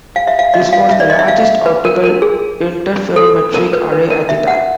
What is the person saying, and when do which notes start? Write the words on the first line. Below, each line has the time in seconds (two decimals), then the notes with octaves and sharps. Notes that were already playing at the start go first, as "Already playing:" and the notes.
This was the largest optical interferometric array at the time.
0.16 F5
0.27 E5
0.39 F5
0.54 D#5
0.73 F5
0.91 E5
1.00 D5
1.10 D#5
1.19 E5
1.28 F5
1.66 B4
1.85 A#4
2.04 A#4
2.22 G#4
3.16 A4
3.54 A#4
3.73 B4
3.92 B4
4.10 A#4
4.29 E5
4.47 F#5